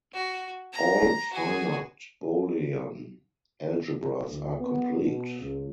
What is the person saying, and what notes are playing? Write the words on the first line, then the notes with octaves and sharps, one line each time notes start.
All finite Boolean algebras are complete.
F#4
A#5
F#4 G#4
D2
B3
B2
C#2